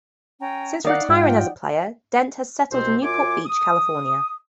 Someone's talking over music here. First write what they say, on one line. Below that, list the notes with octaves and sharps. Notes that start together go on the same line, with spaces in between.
Since retiring as a player, Dent has settled in Newport Beach, California.
C#4 G5 A#5
D#3 D#4 D5 F5 F#5
G#2 F4 G5
C2 B2 C4 C5
F#2 F4 G#5 D6
D#6